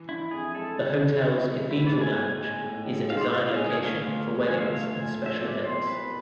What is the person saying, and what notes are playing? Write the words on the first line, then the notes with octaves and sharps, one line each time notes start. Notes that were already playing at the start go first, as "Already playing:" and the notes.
The hotel's Cathedral Lounge is a desired location for weddings and special events.
Already playing: E3
D4 E4
F2 G#4
G#3 A4
E3
D4
F2
G#3
A2 E4
D5
B1
G#5
B1 G#5
G#3 G#5
A2
B1
B1 F5
C5
D5
G#3 F5
F5
D3 G#4
G#5
A3 F5
D2 F5
F3
D3 G#5
F5
E5
A3 F5
D2 G#5
F3
E5
B2 D5
C2 C5
C2 B4